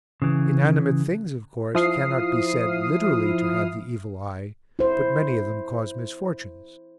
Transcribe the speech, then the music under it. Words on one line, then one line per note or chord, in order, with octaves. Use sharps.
Inanimate things, of course, cannot be said literally to have the evil eye, but many of them cause misfortunes.
C#3 E3
F3 E4 D#6 F6 C7
E4 C5